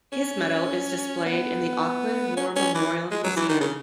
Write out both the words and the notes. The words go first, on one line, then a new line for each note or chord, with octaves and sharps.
His Medal is displayed in the Auckland War Memorial Museum.
C#4
B3
C#4
C#4
E3
G#3
F#3
E3
D#3
C#3